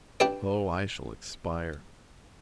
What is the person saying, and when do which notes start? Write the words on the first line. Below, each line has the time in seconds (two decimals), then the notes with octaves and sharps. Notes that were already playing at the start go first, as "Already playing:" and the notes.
O, I shall expire!
0.20 D4 G4 B4 D5